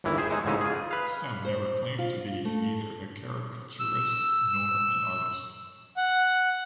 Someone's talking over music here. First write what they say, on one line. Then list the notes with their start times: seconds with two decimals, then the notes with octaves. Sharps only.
Sem never claimed to be neither a caricaturist nor an artist.
0.04 G1 D#2 E3 E4
0.18 G#4 C5 E5
0.30 G#3 D#4
0.45 A1 G#2 C#3 D#4 E5
0.61 F4 G#4
0.91 B4 F5
1.45 C5
1.99 F4
2.45 A3
3.79 E6
5.97 F#5